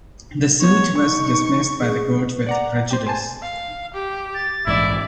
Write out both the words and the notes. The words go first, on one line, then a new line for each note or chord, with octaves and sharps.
The suit was dismissed by the court with prejudice.
B3 C#5
D#4 C#6
G#4
D5 F#5 A#5
G4 C5
C5 G#5 A5
F5
G4
A6
A#1 G#2 E3 E4 D5